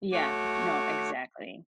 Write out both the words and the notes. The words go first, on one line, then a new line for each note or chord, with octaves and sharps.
Yeah, no, exactly.
A3 F#4 C#5 D6